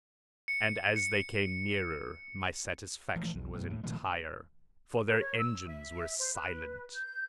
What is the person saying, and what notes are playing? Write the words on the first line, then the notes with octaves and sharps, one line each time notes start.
And as they came nearer, my satisfaction was entire; for their engines were silent!
C#7
C#7
E3 F3 A3
B1
F#2 B2
A2
A#2 D#3 F3 A3
A#4
C#5
E6
E5
C5
B4
G6